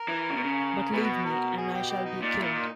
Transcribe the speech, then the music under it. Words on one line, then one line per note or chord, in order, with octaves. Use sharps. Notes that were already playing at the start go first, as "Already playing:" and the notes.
But leave me, and I shall be killed!
Already playing: A#4
E3
C#3
B2
C#3
B2 E4 G#4 B4
A#4
G#4
G4
G4
D#4
A#2 D#4
A#2 E4
D#4